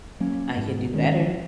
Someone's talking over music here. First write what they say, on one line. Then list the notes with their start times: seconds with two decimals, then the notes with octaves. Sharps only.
I can do better,
0.20 F#3 A#3 C#4
0.56 G#2
0.93 D#3 G#3 C#4